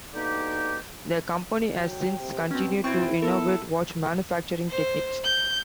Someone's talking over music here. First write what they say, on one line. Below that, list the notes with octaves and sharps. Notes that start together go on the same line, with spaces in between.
The company has since continued to innovate watch manufacturing techniques.
B2 D3 A#3 D#4 G4
F#3 G5
C3
B2 C4 C#4
B2 C4 E4 C#6 G#6 A6
B3 A4 A#4
C5
G6